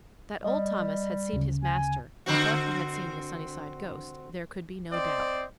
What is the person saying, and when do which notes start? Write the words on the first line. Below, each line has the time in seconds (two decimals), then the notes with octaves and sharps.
That old Thomas had seen his master, and thought he had seen the Sunnyside ghost, there could be no doubt.
0.44 G3 D#5
1.33 D2 C#3
1.64 G#5
2.26 D3 C4 F#4
4.92 C4 C5 D5 D#5